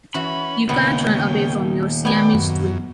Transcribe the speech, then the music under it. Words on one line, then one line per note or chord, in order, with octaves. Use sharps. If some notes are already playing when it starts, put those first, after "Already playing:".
You can’t run away from your Siamese twin.
E3 C#4 F#4 B5
D#2 A#2 C#3 B3 G5
B3 D5 G5 G#5
F#2